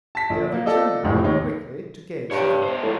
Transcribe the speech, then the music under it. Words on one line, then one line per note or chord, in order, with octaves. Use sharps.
The other turned about quickly to gaze heavenward.
A5 B6
A#1
A#3
F4 A4 D5 D#5
F1 C#2 A2
D#2 D#4 C#5
G2 G4 C#5
B2 C5
A2 F3 G#3